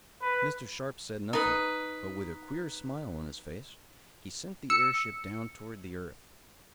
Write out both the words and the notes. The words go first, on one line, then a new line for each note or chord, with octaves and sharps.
Mr. Sharp said nothing, but, with a queer smile on his face he sent the airship down toward the earth.
B4
D#4 B4
E6 C#7